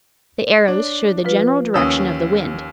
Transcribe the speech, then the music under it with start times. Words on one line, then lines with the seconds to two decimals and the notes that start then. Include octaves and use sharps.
The arrows show the general direction of the wind.
0.68 D4 C#5
1.24 F3 F4 B4
1.74 D#2 C#4 D#6 E6